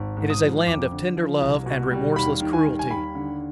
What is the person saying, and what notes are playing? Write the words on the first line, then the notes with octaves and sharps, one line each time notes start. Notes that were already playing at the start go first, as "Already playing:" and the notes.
It is a land of tender love and remorseless cruelty.
Already playing: G#1
G#2
D#6
F3
F2 D6
D3
F3
C2
B2
G3
D#2 B5
D#3
G#5
G3
G#5
D#2 B5
D3